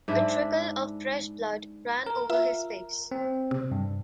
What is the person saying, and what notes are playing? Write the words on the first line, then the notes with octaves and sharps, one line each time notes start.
A trickle of fresh blood ran over his face.
G#2 D4 E4 E5
A#4
F4 E5
C4
C3
G2